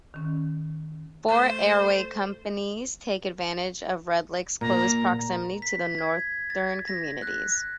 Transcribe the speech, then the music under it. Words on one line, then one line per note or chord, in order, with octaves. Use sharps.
Four airway companies take advantage of Red Lake's close proximity to the northern communities.
D#3 C#4
A3 C5
A#2 A#5
B6
G#6
A6
A#6
F#6